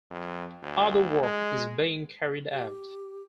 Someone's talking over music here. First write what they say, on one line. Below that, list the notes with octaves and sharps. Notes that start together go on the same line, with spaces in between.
Other work is being carried out.
F2
D2
G#3
G4